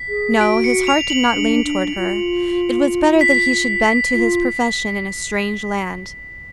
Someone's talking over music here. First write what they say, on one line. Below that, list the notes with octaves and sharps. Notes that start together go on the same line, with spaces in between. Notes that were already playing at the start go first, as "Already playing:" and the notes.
No, his heart did not lean toward her; it was better that he should bend to his profession in a strange land.
Already playing: B6
G#4
F#4 D7
C#7
F7
F#7
D4
D4
F4
B6
F4